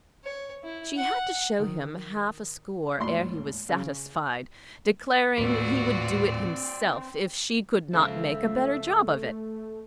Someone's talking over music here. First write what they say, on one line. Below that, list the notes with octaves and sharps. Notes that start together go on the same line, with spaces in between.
She had to show him half a score ere he was satisfied, declaring he would do it himself, if she could not make a better job of it.
C#5
E4
F#5
D#3
G#1 D#2 A2 D5 B5 C6
C#3
D#1 A2 A3 C4 F4 F#4 B4 D5
C#2 F3 A4 E5 F5
A3